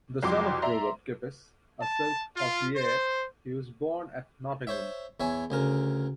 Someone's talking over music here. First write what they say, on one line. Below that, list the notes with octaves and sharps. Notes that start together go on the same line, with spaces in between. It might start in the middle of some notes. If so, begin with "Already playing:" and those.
The son of Robert Kippis, a silk-hosier, he was born at Nottingham.
C2 F2 F#3 C6 D6
D5 E5 A#5 C6
A5
F4
C5
C5 C#5 E5
E2 C#5 E5 G#5
D2 C#3 A#4